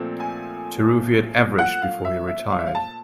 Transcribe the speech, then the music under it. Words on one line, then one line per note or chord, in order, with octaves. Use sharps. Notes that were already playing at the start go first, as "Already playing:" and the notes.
Taruffi had averaged before he retired.
Already playing: A#2 F3 A3 C4
G#5
F#5
F5
E5
E5
F5
E5
F5
A5